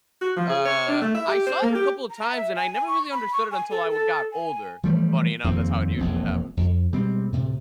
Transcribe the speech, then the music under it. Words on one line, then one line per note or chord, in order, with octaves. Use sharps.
Uh, I saw it a couple of times, and I never really understood it until I w got older. Funny enough, that's how it usually happens.
F#4
F3
G#4
C#5
D4
A3
E5
G4
C5
A#3
G4
A#5
E5
G#5
G#5
C#6
B5
C#6
G#5
A4
A4
G#5
E3 F3 G3 A3
D#1 F2 A#2 C4
E1 A#1 F2 C4
F2
B2 G3 G#3 C4
D2 A2 C3